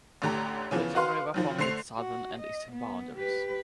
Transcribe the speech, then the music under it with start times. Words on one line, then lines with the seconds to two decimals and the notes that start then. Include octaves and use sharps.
Little River formed its southern and eastern boundaries.
0.22 A1 A2 D3 G4 A#5
0.71 C#3 E3 F3 B3
0.95 F#4 B4 F5 C6 F6
1.34 F#2 D#3 F3
1.58 D3 A3 C5 C7 F7
1.97 F#4
2.39 D#5
2.72 B3
3.17 G4 B4